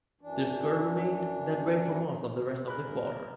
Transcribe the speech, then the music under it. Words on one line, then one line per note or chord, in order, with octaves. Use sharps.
The score remained that way for most of the rest of the quarter.
F#2 E3 D4
G2 G#4 A#4 B5 F#6